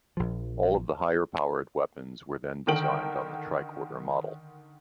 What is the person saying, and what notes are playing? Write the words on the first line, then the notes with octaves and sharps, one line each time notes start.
All of the higher-powered weapons were then designed on the tricorder model.
A#1 F3
D3 D#3 A#4 G5 D7 F#7